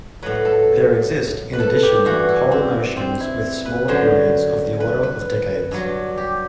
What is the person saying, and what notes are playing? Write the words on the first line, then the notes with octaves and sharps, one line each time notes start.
There exist, in addition, polar motions with smaller periods of the order of decades.
A2 F#3 B4
A4
B4
A4
G4
G2 E3 F#4
E4
C4
C4
E4
B4
F#2 D3 F#3 C5
B4
B4
G2 F#3
G4